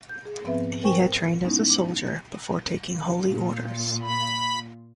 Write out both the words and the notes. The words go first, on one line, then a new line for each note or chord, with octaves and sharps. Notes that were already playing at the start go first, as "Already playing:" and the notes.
He had trained as a soldier before taking holy orders.
G6
G#4
G#2 F3 B3 C4 B4 E5
A#4 C5 G5 G#5 C#6
G#3 B3 C#4 D#4 E4
D6
A#2 F4
B5